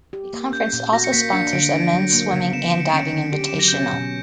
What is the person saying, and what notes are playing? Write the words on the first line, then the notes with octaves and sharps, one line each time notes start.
The conference also sponsors a men's swimming and diving invitational.
G4
A#3
C#4 G6
A#2
F#4 A#6
C#7
A#3 B6
D4 C#7
D3 D7
D4 D7
F#3
A#3
C#3
B3 E7
D7
D3
C#7
D7
C#4 C#7
D3
G4 D7
E7
F#3
A#6
G6
C#4
A#6
B2